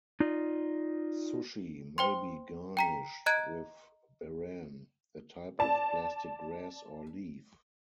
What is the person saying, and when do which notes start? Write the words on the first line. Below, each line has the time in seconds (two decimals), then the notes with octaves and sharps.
Sushi may be garnished with "baran", a type of plastic grass or leaf.
0.20 D#4 F4 D5
1.98 C5 G5 C6
2.77 G5 A#5 B6
3.26 D#5 A#5 F#6 G#6 D7
5.59 D5 A5